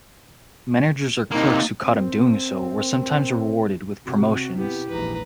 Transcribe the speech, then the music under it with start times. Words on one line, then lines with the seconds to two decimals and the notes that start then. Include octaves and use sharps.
Managers or clerks who caught him doing so were sometimes rewarded with promotions.
1.32 C3 A#3 D#4
1.85 C4 A#4
4.05 C3 C4 F#4
4.56 B3 E4 G4
4.88 A#1 E2 G#2 B4 A#5